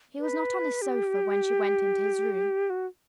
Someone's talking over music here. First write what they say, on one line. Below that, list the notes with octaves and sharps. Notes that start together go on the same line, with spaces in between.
He was not on his sofa when she went into his room.
B4
G4
F#4